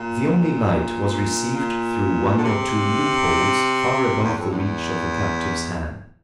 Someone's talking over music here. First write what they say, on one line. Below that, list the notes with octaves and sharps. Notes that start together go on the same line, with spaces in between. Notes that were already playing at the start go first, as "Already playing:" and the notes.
The only light was received through one or two loop-holes far above the reach of the captive's hand.
Already playing: A#2
A#2
D3
C3
E2
F2
E2